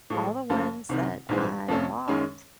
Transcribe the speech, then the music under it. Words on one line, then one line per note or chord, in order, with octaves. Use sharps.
all the ones that I blocked
A2 F3 G#3
F#2 C#3 F3 A3
C2 C3 D#3
A#1 G#2 E3 G#3 C4
F2 C3 F3 A3 C#4
F#2 D#3 G#3 C#4